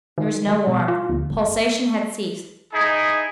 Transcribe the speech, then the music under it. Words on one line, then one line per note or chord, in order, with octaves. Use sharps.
There was no warmth. Pulsation had ceased.
D#3
G3
B2
F4
D2
F#1
D#4 E4 G#4